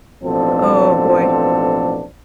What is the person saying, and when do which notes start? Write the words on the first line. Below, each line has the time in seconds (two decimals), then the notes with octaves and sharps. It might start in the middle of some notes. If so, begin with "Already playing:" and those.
Oh, boy.
0.23 A1 B2 F3 C4 D4 A4